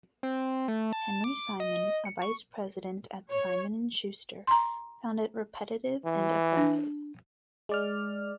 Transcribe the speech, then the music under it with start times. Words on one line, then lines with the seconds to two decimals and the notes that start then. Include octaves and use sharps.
Henry Simon, a vice-president at Simon and Schuster, found it repetitive and offensive.
0.23 C4
0.68 A3
0.93 A5
1.24 D6
1.60 D#5
2.05 C#7
2.22 C#6
3.28 C#5
4.47 A#5 C6
6.05 E3
6.57 D4
7.69 G#3 D5 F6